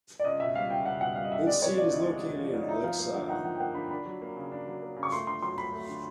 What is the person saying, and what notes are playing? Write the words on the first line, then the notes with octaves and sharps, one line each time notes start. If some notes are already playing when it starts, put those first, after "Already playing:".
Its seat is located in Lycksele.
D5
C#2 D#5
B2 E5
G3 F5
C#2 G5
C#2 F#5
B2 F#5
G3 F5
D#5
C#2 E5
G#3 D5
C3 C#5
F3 D5
D2 D#5
G#3 D#5
C3
F3
D2
D#5
D#4 E5
F3 F5
A#3 F5
D3 F#5
D#4 F#5
F3 F#5
G5
A#3 F#5
D3 B5
D4 B5
F#3
A#3
C#3
D4
F#3
A#3
C#3
C#6
A3 C6
D3 C6
F#3 C6
D2 B5
A3
D3